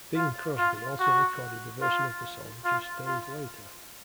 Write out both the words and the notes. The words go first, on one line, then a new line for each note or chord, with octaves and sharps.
Bing Crosby also recorded a version of the song just days later.
F4
F4
F#4
F4
F4
F4